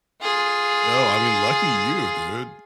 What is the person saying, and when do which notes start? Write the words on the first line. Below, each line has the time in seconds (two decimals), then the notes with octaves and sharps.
No, I mean, lucky you, dude.
0.22 F4 G#4